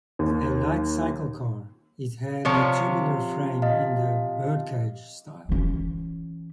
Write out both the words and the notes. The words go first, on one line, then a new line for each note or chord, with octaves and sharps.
A light cyclecar, it had a tubular frame in the "birdcage" style.
D#2
C3 F3 C#5
D#5 F5
E3 C#4